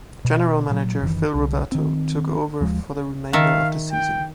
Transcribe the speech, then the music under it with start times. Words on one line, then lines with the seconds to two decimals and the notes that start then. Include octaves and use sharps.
General manager Phil Roberto took over for the remainder of the season.
0.25 B2
0.70 A#2 F3 F#3
1.01 F#1 D#3 E3
1.34 C2 D3
1.72 D#3 C4
2.61 D#2 F3 G#3
3.33 D#3 E5 F5 A5
3.92 G5